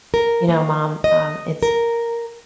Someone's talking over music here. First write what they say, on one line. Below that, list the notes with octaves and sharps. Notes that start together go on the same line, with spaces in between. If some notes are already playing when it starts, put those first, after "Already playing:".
"You know, mom, um, it's
A#4
A#3
D#5
A#4